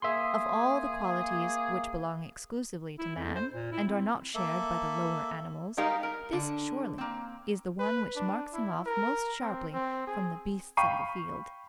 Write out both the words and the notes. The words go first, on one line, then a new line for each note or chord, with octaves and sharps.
Of all the qualities which belong exclusively to Man and are not shared by the lower animals, this surely is the one which marks him off most sharply from the beasts of the field.
A#3 G#4 E5 C6
E4
F2
C5
A#2
E4
C4
A#3 A4 E5
G3 G#3 D#4 G4 A#4 F5
A#4
D3
A#3 C4
B4
D4
E4
A#4
C4
C4
G#4
F5 G5 B5 C#6 C7 D#7